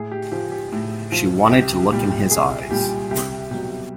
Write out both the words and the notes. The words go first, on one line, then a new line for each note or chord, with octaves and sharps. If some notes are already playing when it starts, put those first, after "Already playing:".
She wanted to look in his eyes.
Already playing: A2 G#4
G4
F3 G4
G4
A2
F3
C2 G4
A#2 G3
C2 G#4
A#2 G3 G4
C2 G4
B2 F#3 G4